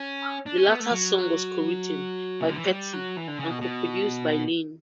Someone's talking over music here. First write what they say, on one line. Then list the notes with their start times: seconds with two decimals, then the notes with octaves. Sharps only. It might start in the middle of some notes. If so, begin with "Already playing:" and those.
The latter song was co-written by Petty and co-produced by Lynne.
Already playing: C#4
0.46 D4
0.58 C#4
0.68 B3
0.80 A3
0.91 F#3
2.40 C#3
2.49 D3
2.56 E3
2.64 F#3
2.71 G3
2.93 F#3
3.17 E3
3.28 D3
3.39 C#3
3.50 B2
3.61 B2